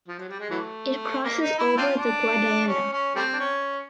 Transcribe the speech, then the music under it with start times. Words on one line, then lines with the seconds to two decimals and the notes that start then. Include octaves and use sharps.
It crosses over the Guadiana.
0.08 F3
0.19 F#3
0.29 G3
0.40 G#3
0.50 E3 F#3 A3
1.23 A#3
1.40 D#4
1.58 E4
1.77 C4 D4 F4
1.95 D4
2.68 C#4
2.92 C#4
3.15 G3 A3 C4
3.33 D4
3.40 C#4